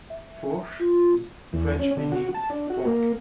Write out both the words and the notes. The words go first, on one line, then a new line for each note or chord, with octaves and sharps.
"Fourche" is French meaning "fork".
E5
F4
E2
C#4
D3
F#4
A5
D4
F#4
A#3